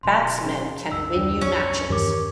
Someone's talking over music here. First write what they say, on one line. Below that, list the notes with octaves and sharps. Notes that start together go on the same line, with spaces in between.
Batsmen can win you matches.
D1 B2 F#3 C6
C#4 G#4 F5
C2 F#2 C#3 E6
D#2 D4 G5
C#4
E2 G2 D#3 G4 A#4 D6